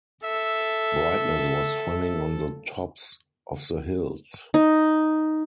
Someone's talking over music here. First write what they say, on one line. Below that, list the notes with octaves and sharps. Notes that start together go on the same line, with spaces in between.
Brightness was swimming on the tops of the hills.
A4 E5
D#4